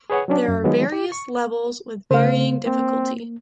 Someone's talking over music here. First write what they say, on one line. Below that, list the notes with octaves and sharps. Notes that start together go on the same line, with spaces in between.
There are various levels with varying difficulty.
G#4 B4 C#5 F#5
F#3 C#4 D4
F#2
D#3 F3 F#3 G#3 B3
G4
C#6
C#3 A3 C5 F5
A#3 C4